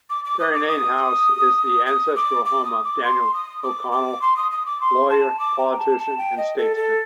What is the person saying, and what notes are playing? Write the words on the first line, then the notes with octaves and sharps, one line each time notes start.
Derrynane House is the ancestral home of Daniel O'Connell, lawyer, politician and statesman.
D6
D6
D#6
D6
D#6
D#6
D6
D6
D#6
D6
C6
D#6
D6
D6
C6
D#6
D#6
D6
C6
A5
D6
A#5
G5
A5
A5
G5
D#5
A4
A4